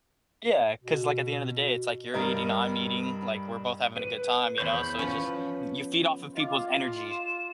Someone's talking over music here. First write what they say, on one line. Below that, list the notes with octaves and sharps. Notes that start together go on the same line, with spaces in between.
Yeah, 'cause like at the end of the day, it's like you're eating, I'm eating, like we're both having a good time, you know, so it's just, y you feed off of people's energy.
B2
G2 G3 A#4 D#5
B4
E2 C5 C#5 B5 G6
F3 B3 C#4
F4 D#5 F5 D6
E7